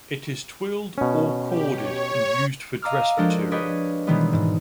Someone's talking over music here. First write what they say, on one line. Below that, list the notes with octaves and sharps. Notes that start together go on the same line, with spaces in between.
It is twilled or corded and used for dress-material.
B2 C#4
G4
C#5
D#5 F5 A#5 D6 E6 F6
F3 G#3 D4 F#4 A4 A#4
D4 G4 G#4 B4 C#5 D#5
B2 D#3 E3 G3 G#3 B3
G#2